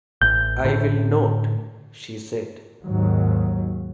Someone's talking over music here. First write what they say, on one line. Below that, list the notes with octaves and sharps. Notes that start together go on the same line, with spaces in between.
"I will not," she said.
A1 G6
A2 D3
D#2 G#2 D#3 F#3